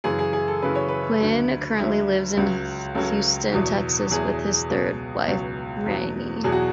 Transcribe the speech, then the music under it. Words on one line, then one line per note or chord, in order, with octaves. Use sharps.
Quinn currently lives in Houston, Texas with his third wife, Rennie.
F#2 C#3 E3 G#4
G#4
G#4
A4
F#2 C#3 E3 B4
C#5
B4
D2 D3 F#3
D2 D3 F#3
C#2 C#3 F#3
C#2 C#3 F#3 A4
E2 B2 F#3
E2 B2 F#3 G#4
C#2 B2 F#3
C#2 B2 F#3
E2 B2 F#3
E2 B2 F#3 G#4
F#4